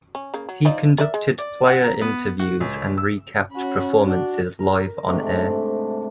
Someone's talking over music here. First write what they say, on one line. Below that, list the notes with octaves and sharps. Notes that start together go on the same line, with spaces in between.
He conducted player interviews and recapped performances live on-air.
C#4
C#3 A#3
F#3
F3 D#4 D5
A#4 D5 E5
G#3
D5
F#5
A#5
B3
F#4
C#2
E6
C#4 F#4 B5
D4 F#4
A#4
G#2 C3 A3 D4